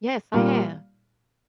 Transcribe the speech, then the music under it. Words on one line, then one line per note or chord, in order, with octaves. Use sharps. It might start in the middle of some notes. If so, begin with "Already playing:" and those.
Yes, I have.
A#2 G3 A#3